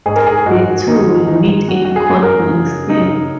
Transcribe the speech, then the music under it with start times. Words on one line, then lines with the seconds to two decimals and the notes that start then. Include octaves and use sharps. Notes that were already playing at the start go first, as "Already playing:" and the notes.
The two will meet in court next year.
0.06 G#2 G#4
0.16 A#4
0.27 G#4
0.46 G#2 F#4
0.76 F#4
0.87 D#3 D#4
1.27 D#3 D#4
1.68 F#2 F#4
1.85 F#4
1.96 G#4
2.09 F#2
2.23 A#4
2.49 C#3
2.90 C#3 D#4